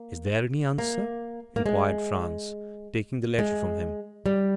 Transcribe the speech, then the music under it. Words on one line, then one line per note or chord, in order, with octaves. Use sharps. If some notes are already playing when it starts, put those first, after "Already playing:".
"Is there any answer?" inquired Franz, taking the letter from him.
Already playing: A#3
A#3
A#3
G#3
G#3
G3